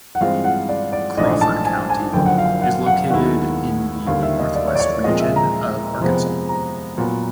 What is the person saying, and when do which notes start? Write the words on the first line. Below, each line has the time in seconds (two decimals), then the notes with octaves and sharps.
Crawford County is located in the northwest region of Arkansas.
0.15 F#5
0.20 G2 E3 G#3 C4 F4 F5
0.44 F#5
0.69 D5
0.93 D5
1.17 A#1 G#2 E3 A3 D4 D#5
1.41 A5
1.65 G#5
1.90 G#5
2.13 F#1 F#2 D3 F3 G5
2.26 F#5
2.38 F5
2.62 F#5
2.86 F#5
3.05 F5
3.10 D#2 D#3 G#3 B3 E4 F#5
4.07 D#2 D3 G3 F5
4.23 E5
4.39 D#5
4.55 D5
4.68 C#5
4.75 D5
4.80 C#5
5.03 A#2 F3 G#3 C4 F4 D#5
5.20 E5
5.36 A#5
6.00 F2 C3 F3 G#3 B3
6.49 A#5
6.97 A#2 F#3 B3